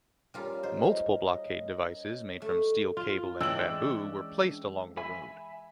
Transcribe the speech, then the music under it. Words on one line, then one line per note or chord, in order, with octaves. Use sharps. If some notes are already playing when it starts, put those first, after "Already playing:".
Multiple blockade devices made from steel cable and bamboo were placed along the road.
G3 C#4 F4 A#4 C5
D#4 C5 D#5 F5
D#5
A3
F4
E3 G#3 C#4 D4 G5 E6 F#7
E5 G#5 B5